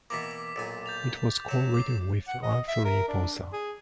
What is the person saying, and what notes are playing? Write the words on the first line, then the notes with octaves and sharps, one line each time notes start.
It was co-written with Anthony Bozza.
B2 E3 A#3 D6 B6
B1 A#2 G#5
G6 A6 F7
F#3 C#5 E7
D6 C7
F#5
D#5
E5
A#4
D4
G#4